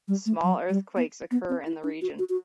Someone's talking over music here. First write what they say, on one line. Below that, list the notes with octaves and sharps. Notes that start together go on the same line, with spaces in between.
Small earthquakes occur in the region.
G3
A3
F#3
G3
B3
B3
C4
E4
D4
F#4
F#4
F#4